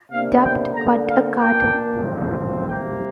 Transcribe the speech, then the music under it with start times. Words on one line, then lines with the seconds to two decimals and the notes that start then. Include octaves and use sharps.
Dubbed What a Cartoon!
0.11 C3 A#3 D4 F5
0.42 G5
0.74 D3 A#3 D4 A#5
1.06 F5
1.38 A#2 A#3 D4 G5
2.02 F3 C4
2.66 C3 G3 A#3 G5